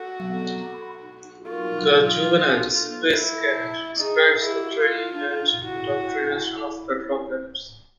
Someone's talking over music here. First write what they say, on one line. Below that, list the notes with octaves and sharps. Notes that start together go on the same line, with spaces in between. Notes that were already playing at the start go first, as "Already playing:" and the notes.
The juvenile "Space Cadet" describes the training and indoctrination of Patrol cadets.
Already playing: F#4 A4
A4
F4 A#4
A#4
A4
E4
D#4 G#4
E4 G#4
G4
F#4
G4
E4 F4
D4
D#4
D4
D#4
E4 F#4